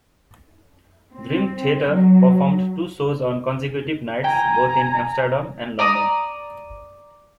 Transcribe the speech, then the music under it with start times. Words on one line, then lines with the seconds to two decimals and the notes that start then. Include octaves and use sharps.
Dream Theater performed two shows on consecutive nights both in Amsterdam and London.
1.13 C4
1.91 F#3
4.24 G5 G#5 A#5
5.79 D5 A#5 D#6